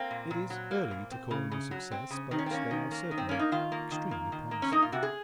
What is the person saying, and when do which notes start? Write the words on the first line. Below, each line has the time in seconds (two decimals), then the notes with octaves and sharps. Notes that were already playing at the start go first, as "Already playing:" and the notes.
It is early to call them a success, but they are certainly extremely promising.
Already playing: A#3 C4
0.11 A#2
0.31 A#2
0.50 F#3
0.71 A#3
0.91 A#2
1.11 C4
1.31 C#3
1.52 C#3
1.71 F#3
1.91 C4
2.11 C#3
2.31 D#3 D#4
2.39 C#4
2.46 C4
2.51 A#3 C#4
2.71 D#3
2.92 A#3
3.11 D#3
3.18 C4
3.29 A#3 C#4
3.39 D#4
3.52 D#3 F4
3.72 A#3
3.91 D#3
4.11 A#3
4.32 D#3
4.51 A#3
4.62 C#4
4.72 A#3 D#4
4.82 F4
4.92 C3 F#4
5.03 G#4